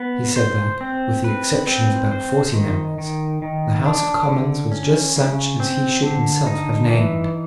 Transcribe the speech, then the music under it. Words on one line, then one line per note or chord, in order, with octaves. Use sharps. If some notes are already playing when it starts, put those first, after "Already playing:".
He Said that, with the exception of about forty members, the House of Commons was just such as he should himself have named.
Already playing: B3
C5
C4
B4
C4
C5
D#3
D#3
D#3
D4
D3
C#4
C#3
C4
D3
D#4
E3